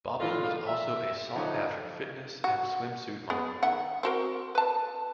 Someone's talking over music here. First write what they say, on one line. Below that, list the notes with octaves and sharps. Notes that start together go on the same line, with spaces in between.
Bobbie was also a sought-after fitness and swimsuit model.
A2 D4 F4
E5
D3 F3 F#3 D#4
F#4
B3 G#4
D#3 E5 F#5
C4 F#4 A#4
B4 A5